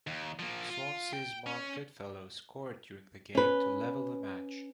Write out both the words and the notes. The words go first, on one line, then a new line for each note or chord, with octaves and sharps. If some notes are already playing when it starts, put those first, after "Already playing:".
Swansea's Marc Goodfellow scored during the game to level the match.
D#2
F3 A#3
F4
G5
C#4
C#4 B4